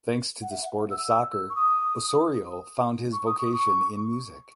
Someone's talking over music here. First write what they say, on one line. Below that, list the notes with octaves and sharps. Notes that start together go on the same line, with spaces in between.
Thanks to the sport of soccer Osorio found his vocation in music.
F#5
E5
F#5
E6
E6
C#6
D#6
C#6
D#6
C#6
C#6